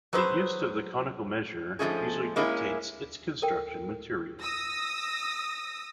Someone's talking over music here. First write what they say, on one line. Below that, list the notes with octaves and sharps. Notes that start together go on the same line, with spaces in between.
The use of the conical measure usually dictates its construction material.
F#3 G#4 B4 C5
G#2 F3 G3 A3 C#4 G#4
G#3 A#3 C#4 E4 G#4
A4 A#4 G5
D#6 E6 A#6